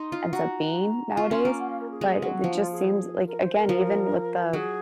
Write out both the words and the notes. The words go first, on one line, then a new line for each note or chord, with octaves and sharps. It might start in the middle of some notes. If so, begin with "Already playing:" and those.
ends up being nowadays, but it it just seems like again, even with the
Already playing: D#4 C6
F4
F#4 A#5
F4 C#6
C#4 C6
A#3 A#5
F#5
F5
A#4
G#4
G#3
F#3
F3 F#4
D#4
F4
G#4
A#4
C5
A#4
F3
F#3 G#4